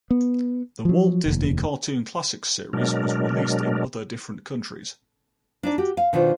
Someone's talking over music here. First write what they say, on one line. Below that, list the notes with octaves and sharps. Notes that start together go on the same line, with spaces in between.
The Walt Disney Cartoon Classics series was released in other different countries.
B3
F3 F#3
F1 D#2
B2 F#3 G#3 D4 A#4
D4 D#4 D5
F#4 G4
F5
B2 D#3 D4 F4 C5